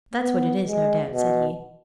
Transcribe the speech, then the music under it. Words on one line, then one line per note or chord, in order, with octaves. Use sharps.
"That's what it is, no doubt," said he.
B3
G#3
B2